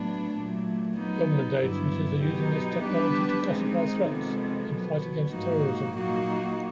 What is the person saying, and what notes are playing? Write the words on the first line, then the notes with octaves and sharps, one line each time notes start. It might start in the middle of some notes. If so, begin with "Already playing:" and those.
Government agencies are using this technology to classify threats and fight against terrorism.
Already playing: A2 F#3 B3 D4
A#2 F#3 A3
F#3 B3 D#4
G2 D3 F#3 B3 E4
B2 F#3 B3 D#4 G4
G3 B3 D4 G4 B4
G#2 D#3 G#3 C4 D#4
F2 C3 D#3 G#3 B3
B2 F#3 B3
G#2 F3 A#3 D#4 F#4
A#2 F#3 A#3 D#4 F#4